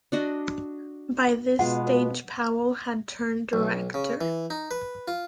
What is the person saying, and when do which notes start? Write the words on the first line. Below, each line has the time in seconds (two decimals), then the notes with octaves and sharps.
By this stage Powell had turned director.
0.12 D4 F#4 D#5
1.59 B2 G#3 B3 F4 F#5
3.53 B1
3.94 C#3
4.21 E3
4.50 D#4
4.71 B4
5.08 F4